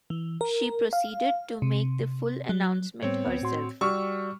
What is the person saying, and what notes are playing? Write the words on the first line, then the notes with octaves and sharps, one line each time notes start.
She proceeded to make the full announcement herself.
E3
A#4
F5
C3
F#3
A2 G3 B3 C4 C#5
D2 B3
A2 F#4 C6
G3 F#4 D5 C#6 E6 F6